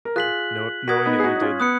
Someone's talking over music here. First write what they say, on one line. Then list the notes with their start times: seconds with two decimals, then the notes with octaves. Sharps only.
Yeah. Know knowing that you did,
0.05 A#4
0.16 F4 G#4 F#6 B6 F#7
0.87 F#4 A#4 D#6 G#6 B6
1.06 B3 D#4
1.20 G#4
1.24 D#4 F#4
1.36 D#4
1.41 C#4 F4
1.60 B3 D#6 F#6 C#7